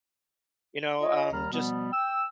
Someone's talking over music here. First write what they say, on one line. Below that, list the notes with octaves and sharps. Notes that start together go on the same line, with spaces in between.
you know, um, just
F4 C#5 D#5
D#2 D#3 G3 A#5 F6
B2 F3 G3 B3
G5 E6